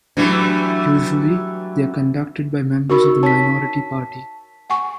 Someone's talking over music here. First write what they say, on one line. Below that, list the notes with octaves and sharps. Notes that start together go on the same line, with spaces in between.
Usually, they are conducted by members of the minority party.
E3 F#3 G3 A3 D4
D#4 F#4 A#4 B5 C#6 E6
C#5 A5 B6
F#5 G#5 C#6